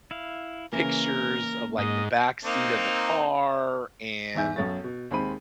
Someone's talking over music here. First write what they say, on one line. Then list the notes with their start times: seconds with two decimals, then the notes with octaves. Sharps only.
pictures of, like, the back seat of the car, and,
0.11 E4 F5
0.73 C#3 E3 A#3 C#4 A#4
1.78 G#2 D#5
2.44 A#3 C4 D#4
4.35 E2 G#2 E5 G#5 G6
4.56 B1 F#2 A4 C#5 A6
4.84 B2
5.11 D#2 G#3 C4 C5 B5 D#7